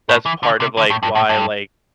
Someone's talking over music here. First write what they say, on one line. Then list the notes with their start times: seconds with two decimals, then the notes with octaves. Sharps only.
That's part of, like, why, like,
0.09 A2
0.26 E3
0.43 D3
0.60 C3
0.77 D3
0.90 A2
1.03 G2
1.15 A2
1.29 G2